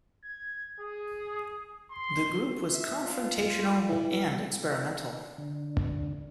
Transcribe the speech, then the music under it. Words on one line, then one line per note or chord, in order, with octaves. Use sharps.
The group was confrontational and experimental.
G#6
G#4
C6
E5
F4
E3
D3